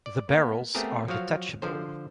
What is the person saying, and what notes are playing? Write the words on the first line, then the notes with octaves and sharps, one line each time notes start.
The barrels are detachable.
D5
A#3 B3
A3 B3 C4 G4 G#4 A#4
F3 F#3 F#4 F5
D3 F3 C5